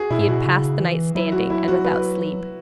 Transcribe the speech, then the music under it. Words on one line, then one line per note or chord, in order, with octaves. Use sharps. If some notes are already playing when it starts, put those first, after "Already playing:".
He had passed the night standing, and without sleep.
Already playing: F#4 G#4
B2 E4
G#2
B2 F#4
C#3
E3
F#3 E4
F#4
E4
F#4
B4